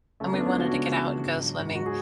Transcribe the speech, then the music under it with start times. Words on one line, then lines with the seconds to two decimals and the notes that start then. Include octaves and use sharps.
and we wanted to get out and go swimming,
0.20 C#2 A3 C#4
0.33 C#2 B3 D4
0.46 C#4 E4
0.54 C#2 D4 F#4
0.72 C#2
0.90 C#2
1.07 C#2
1.24 G#2
1.41 F#3
1.59 G#2
1.75 F#3 F#4
1.86 G#4